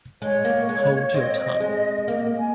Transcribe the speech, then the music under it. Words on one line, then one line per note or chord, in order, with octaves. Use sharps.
Hold your tongue.
G#3 C#5
A#3
G#3
C4 D#5
G3
G#3
A#3
G#5